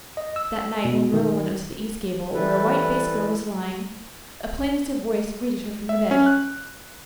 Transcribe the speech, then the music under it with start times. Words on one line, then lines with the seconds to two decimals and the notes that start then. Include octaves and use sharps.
That night, when Marilla went up to the east gable, where a white-faced girl was lying, a plaintive voice greeted her from the bed.
0.17 D#5
0.36 E6
0.85 B2
1.14 D#3
2.33 E3 G3 E4 A4 B4
5.89 E5
6.11 C#4
6.26 F#6